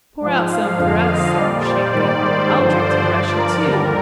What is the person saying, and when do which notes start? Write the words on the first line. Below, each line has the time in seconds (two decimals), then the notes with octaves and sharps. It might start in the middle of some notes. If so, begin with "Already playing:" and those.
"Pour out some for us," said Grushenka; "I'll drink to Russia, too!"
0.21 G#2 F3
0.49 F5
0.78 F2 D3 F3
1.06 D#5
1.35 A#2 G3 D5
1.64 C5
1.92 G#2 D#3 G3 D5
2.21 C5
2.49 G2 D3 F3
2.78 D5
3.07 G2 F3
3.35 A#4
3.64 D#2 D3 G3